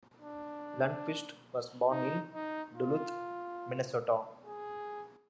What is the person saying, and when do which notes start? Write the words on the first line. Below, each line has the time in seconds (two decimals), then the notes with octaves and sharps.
Lundquist was born in Duluth, Minnesota.
0.20 D4
1.91 D#4
2.33 D#4
2.76 F4
4.45 G#4